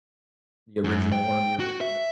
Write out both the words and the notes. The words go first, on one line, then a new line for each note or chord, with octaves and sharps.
The original, one of the original.
F#2
G5
F#4
E5